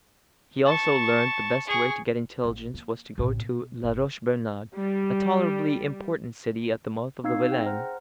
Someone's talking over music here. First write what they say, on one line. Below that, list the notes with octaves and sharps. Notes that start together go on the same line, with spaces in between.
He also learnt the best way to get intelligence was to go to La Roche-Bernard, a tolerably important city at the mouth of the Vilaine.
A5 C#6
G#4 C#6
A1 A#3
A#3
A1 B2
B2
G1
G3
C4 D#4 F5 E6 G#6 C7
G#4 G5 A#6
C5 F#5 A#5 F6